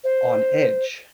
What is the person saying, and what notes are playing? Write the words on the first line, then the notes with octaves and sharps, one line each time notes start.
on edge
C5